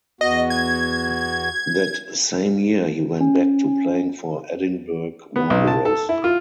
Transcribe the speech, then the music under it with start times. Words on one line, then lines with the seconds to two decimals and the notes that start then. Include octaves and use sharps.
That same year he went back to playing for Edinburgh Wanderers.
0.21 E2 B3 F#4 D#5
0.50 G#6
3.21 C#4
5.36 B3
5.50 B1
5.67 A5
5.85 A4
6.09 E4
6.24 F4